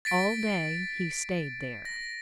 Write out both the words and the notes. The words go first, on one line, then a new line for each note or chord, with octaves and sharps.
All day he stayed there.
A6 B6 D7
A#6